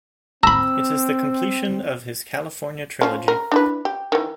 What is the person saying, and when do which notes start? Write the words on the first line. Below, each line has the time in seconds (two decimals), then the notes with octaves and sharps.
It is the completion of his California trilogy.
0.43 C4 A#5 B5 E6
3.01 F3 C#4
3.28 A#4
3.52 D4 E4 B4
3.85 G4
4.12 D#3 E3